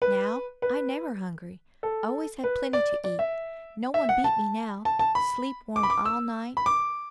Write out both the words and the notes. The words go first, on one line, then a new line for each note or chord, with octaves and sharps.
Now, I never hungry, always have plenty to eat; no one beat me now; sleep warm all night.
B4
B4
A4
B4
D5
D5
E5
E5
F#5
A5
A5
A5
B5
D6
B5
D6
E6
B5
D6